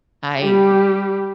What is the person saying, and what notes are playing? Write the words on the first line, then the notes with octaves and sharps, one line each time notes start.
I, d
G3 G4